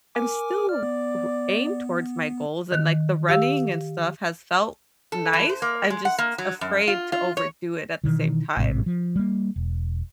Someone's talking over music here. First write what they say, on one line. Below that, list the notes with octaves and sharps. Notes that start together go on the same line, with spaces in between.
I'm still w aimed towards my goals and, like, the running and stuff has felt nice. I'm just afraid to overdo it at the same time.
A#4 G#5 D6
D5 F6
B3
D#3 F#6
G4 F5 E6
A4
E3
C5
A#3
G#3
F#5
A#3
F#3
F#2
F4
F4
C#5
B2 D#3 E3
A1 G#2 C3
F3
G3 A#3
E1